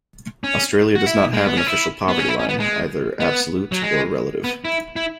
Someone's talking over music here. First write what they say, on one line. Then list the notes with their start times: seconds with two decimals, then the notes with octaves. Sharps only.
Australia does not have an official poverty line, either absolute or relative.
0.44 C#4
0.95 F#4
1.06 E4
1.33 G#3
1.46 B3
1.57 C#4
1.67 E4
2.08 B3
2.19 C#4
2.28 E4
2.39 C#4
2.49 B3
2.60 G#3
3.20 B3
3.72 F#3
3.82 G#3
4.44 B3
4.65 E4
4.96 E4